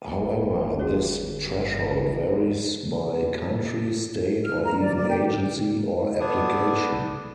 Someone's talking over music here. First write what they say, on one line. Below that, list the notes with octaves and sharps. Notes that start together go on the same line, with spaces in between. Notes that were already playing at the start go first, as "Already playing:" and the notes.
However, this threshold varies by country, state, or even agency or application.
G1
F#4 G#4 C#5
F6
A#5
D5
D5
G5
A3 B3 D4 E4 D#6